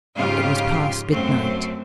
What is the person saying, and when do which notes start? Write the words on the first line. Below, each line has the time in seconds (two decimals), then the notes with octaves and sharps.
It was past midnight.
0.15 F2 G#2 C#3 F4 G4 F5
1.12 F#2 A3 C4